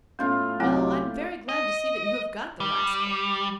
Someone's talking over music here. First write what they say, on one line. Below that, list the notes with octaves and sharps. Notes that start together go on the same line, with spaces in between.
Well, I'm very glad to see that you have got the rascal.
A2 B3 C#4 F4 F5
C2 F#3 C4 E4 G4 G#5
D#5
G3